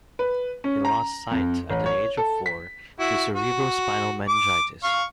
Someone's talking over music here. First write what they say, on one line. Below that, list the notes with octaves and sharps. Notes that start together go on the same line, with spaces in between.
He lost his sight at the age of four to cerebrospinal meningitis.
B4
C#4
A#5
F2
A1
C#5
A4
B6
E4 F#4
F#4
D6
F5 C#6